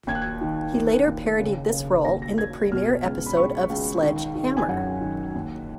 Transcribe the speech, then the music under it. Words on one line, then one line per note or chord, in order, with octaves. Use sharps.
He later parodied this role in the premiere episode of Sledge Hammer!
D#2 G#6
F#6
G#6
D#3
D#3
D#2
C#3
C#3
D#2 A#6
A#6
D#2 G#6
B2 F6
C#2
B5
C#2 C#6
C#2
D#3
D#3
G#5
F#2 F#5
D#3
D#2